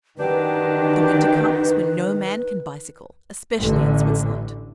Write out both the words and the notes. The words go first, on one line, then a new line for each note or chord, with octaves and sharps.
The winter comes, when no man can bicycle, especially in Switzerland.
F#2 D#3 D4 G4 B4
A1 A2 D3